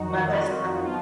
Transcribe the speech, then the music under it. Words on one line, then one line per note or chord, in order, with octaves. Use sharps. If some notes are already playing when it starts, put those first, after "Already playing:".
My best friend
Already playing: F2 D#3 F#3 D#4 F#4
F4
F2 D#3 F#3 D#4
F3 B3 F4